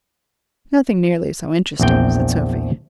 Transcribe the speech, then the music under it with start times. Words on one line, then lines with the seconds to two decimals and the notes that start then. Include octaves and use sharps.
"Nothing nearly so interesting," said Sophy.
1.80 A#1 E2 C4 G5